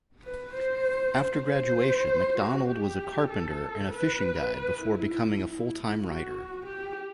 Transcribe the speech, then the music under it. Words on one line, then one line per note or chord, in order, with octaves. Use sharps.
After graduation, MacDonald was a carpenter and fishing guide before becoming a full-time writer.
B4
C5
C5
F#4
G4
A4
B4
E4
E4
F#4
G4